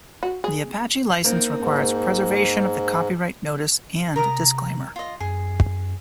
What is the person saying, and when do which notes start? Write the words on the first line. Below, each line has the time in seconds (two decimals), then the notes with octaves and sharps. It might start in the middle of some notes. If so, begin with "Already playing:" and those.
The Apache License requires preservation of the copyright notice and disclaimer.
0.23 F#4
0.44 G#4
1.24 A#3 C4 D#4
1.61 G#2
4.16 C3 A#4 A#5 D#6
4.96 F4 D#5
5.20 F#2 G#4